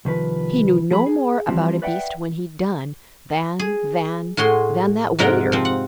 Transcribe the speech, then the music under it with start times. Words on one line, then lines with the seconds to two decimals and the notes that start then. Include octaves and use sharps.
He knew no more about a beast when he'd done, than--than--than that waiter.
0.05 C2 D#3 F3 B4
0.91 F3 G#4 B5
1.06 G#4
1.48 E3 F3 G3 C4
1.82 B4 D5 E5 F#5 G5
3.59 G#4
4.37 A2 F#4 G#4 C6
5.19 F2 G#2 C3 A#4 F#5 G5
5.52 F3 C4
5.65 F#5